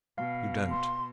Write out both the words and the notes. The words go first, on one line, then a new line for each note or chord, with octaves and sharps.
You don't.
B2 F5
C6